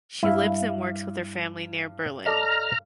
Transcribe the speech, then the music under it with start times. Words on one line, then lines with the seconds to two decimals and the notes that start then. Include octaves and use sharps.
She lives and works with her family near Berlin.
0.23 G2 E4 E5 F5
2.26 A4 D5 D#5 A#5 F6